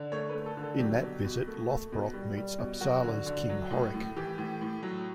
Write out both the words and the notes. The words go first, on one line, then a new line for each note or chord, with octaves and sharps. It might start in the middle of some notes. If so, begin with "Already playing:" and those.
In that visit Lothbrok meets Uppsala's King Horik.
Already playing: D3
A3 C#5
B4
A3
A4
D3
A4
F#3 G4
B2
B2
A3
A3
B2
G3
G3
B2
F#3 F#4
D3
D3
F#3
A2
A2
E3 G4
A2
A2
F#3